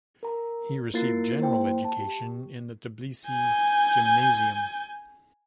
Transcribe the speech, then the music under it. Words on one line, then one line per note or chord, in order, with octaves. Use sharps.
He received general education in the Tbilisi Gymnasium.
A#4 A#5
A#3 E4 F4 A#4 A6 C7
A#3 E4 C5 G5
A5
G4
G#5 G6